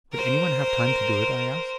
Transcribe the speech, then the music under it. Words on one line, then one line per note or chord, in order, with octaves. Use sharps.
"Would anyone have time to do it?" I asked.
A#4 C5